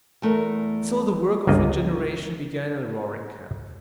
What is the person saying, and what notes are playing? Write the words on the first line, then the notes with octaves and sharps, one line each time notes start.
And so the work of regeneration began in Roaring Camp.
E2 A3 A#4
G1 C#2 A#3 D#5